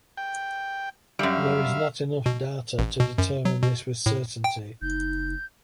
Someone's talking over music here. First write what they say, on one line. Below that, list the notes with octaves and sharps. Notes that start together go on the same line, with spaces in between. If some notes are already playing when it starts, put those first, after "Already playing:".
There is not enough data to determine this with certainty.
G5
F#2 G3 E5 F5
B2
A1
B2
F#2
F#3
B2
A2
G5
F#1 D#4 G6